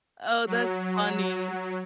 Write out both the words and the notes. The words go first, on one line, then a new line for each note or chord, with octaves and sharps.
Oh, that's funny.
F#3